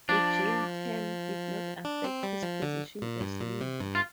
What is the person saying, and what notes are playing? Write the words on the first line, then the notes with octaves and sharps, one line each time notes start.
The jail term did not affect his position as leader.
F3 D4
D4
C4
G3
F3
D3
A#2
G2
A#2
C3
G2
F4